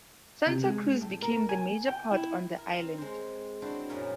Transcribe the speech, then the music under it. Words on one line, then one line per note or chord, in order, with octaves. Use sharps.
Santa Cruz became the major port on the Island.
C3
G#3
A2
A#4
G#5
G5
E4
A#4
C4
G#3 C5
C4 D4 E4 F#4 C5
F#2 A#2 F3 E4 A#4 C#5